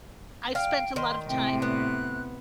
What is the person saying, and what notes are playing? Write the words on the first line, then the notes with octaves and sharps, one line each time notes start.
I've spent a lot of time
F5 G5
D#3 C6
A2 C3 G5
B3 F#6